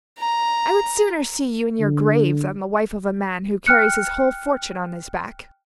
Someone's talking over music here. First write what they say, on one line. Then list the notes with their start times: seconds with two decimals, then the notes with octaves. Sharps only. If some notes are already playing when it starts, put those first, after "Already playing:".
I would sooner see you in your grave than the wife of a man who carries his whole fortune on his back.'
0.19 A#5
1.81 D3
3.66 G5 F6 F#6 C#7